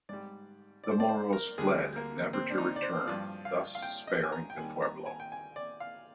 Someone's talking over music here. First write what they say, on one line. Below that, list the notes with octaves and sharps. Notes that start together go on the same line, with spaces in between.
The Moros fled, never to return, thus sparing the pueblo.
G#2 G3 D5
D5
C5
D5
C5
A#4
D2 D3 G3 G#4
A#3
C4
D4
D#4
D5
C5
G2 F3 D5
F5
F5
G5
D#5
G#5
A#5
G5
D#2 D#3 G3 G#5
A#5
G#5
G5
G#5
D5
F5